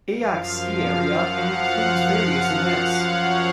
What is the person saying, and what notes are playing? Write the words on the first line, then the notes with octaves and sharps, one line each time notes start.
Eyak ski area and includes various events.
F#2 F3 F5
F#5
F5
F5
C#5